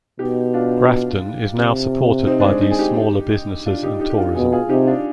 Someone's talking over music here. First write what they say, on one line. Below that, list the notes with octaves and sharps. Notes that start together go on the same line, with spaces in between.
Grafton is now supported by these smaller businesses and tourism.
B2 D#4 G4
D4 F4
C3
C4 D#4
D4
G#3 C4
C4 D#4
G#4
D#4 G4
D4 F4
D#4 G4
D#4 G4
G4
D4 F4
B2 F4 G#4
F4 G#4
C3 D#4 G4
D4 F4